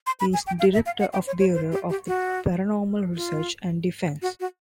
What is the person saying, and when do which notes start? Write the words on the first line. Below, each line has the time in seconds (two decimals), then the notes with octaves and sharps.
He is director of the Bureau of Paranormal Research and Defense.
0.06 C6
0.20 B5
0.33 G#5
0.47 G5
0.59 F5
0.73 E5
0.86 F5
1.00 F#5
1.13 G5
1.27 C#5
1.40 C#5
1.54 C5
1.72 G4
1.89 G4
2.07 F#4
3.15 F4
4.22 F#4
4.40 F#4